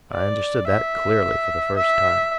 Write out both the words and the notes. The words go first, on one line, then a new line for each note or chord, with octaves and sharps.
I understood that clearly, for the first time.
D5
E5
E5